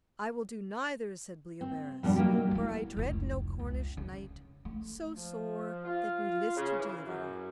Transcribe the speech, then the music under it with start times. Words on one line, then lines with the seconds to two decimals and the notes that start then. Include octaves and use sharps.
I will do neither, said Bleoberis, for I dread no Cornish knight so sore that me list to deliver her.
1.61 C4
2.03 F2 B2 G3 D4
2.16 F#3 A#3 D#4 G4
2.51 A3 E4
2.97 F1 C#2
3.59 C#2
3.97 C#3
4.65 A3
5.16 F3
5.84 F4
6.56 C#3
6.78 E3
7.06 F#2